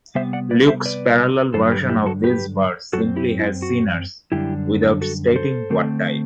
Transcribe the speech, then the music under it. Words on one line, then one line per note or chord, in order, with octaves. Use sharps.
Luke's parallel version of this verse simply has sinners, without stating what type.
C3 G3 B3 C5 E5
D5 F#5
B4 D5
C5 E5
B4 D5
G2 D3 F#3 A4 C5
G4 B4
E4 G4
F#4 A4
G4 B4
F#2 F#3 C4 F#4 A4
E4 G4
E4
F#4
F#2 D3 G3 D4 E4 G4
F#4 A4
A4 C5
D3 A3 C4